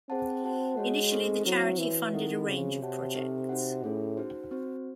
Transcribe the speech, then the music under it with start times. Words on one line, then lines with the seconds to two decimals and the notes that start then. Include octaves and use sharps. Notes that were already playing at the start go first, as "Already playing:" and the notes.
Initially, the charity funded a range of projects.
0.10 C4 G#4 C5 F#5 A5
0.44 F#4 C5 F#5 A5
0.77 G#3 F#4 C#5 F#5
1.12 C4 D#4 A4 C5
1.45 F#3 C4 E4 C5
1.79 E3 F#4 C#5 E5
2.13 D#3 C4 E4 A4 D#5 F#5
2.47 C#3 C4 F#4 C5
2.81 C3 F#4 C#5 F#5 A5
3.15 C4 D#4 A4 C5
3.49 D#4 F#4 C5 F#5
3.84 A2 A3 C#4 G#4
4.17 D#4 F#4 C5
4.51 C4 F#4 C5